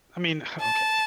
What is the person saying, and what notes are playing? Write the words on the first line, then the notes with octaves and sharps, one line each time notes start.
I mean, okay,
A5